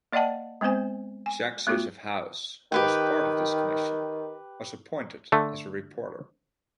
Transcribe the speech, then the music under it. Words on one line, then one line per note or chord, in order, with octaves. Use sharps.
Jacques-Joseph Haus, who was part of this commission, was appointed as reporter.
A#3 D5 D#5 F#5 G5 A5
G#3 B3 C4 C5 G#5
G#5
A3 B3 F4 F#4
D#3 G4 B4 G5
D3 A3